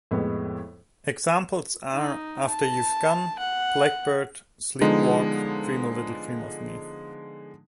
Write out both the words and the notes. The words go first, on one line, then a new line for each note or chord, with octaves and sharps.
Examples are 'After You've Gone', 'Blackbird', 'Sleep Walk', 'Dream A Little Dream Of Me'.
F2 A2 G#3 A3 B3
D#4
A5
F#5
D3 F3 G#3 B3 D#4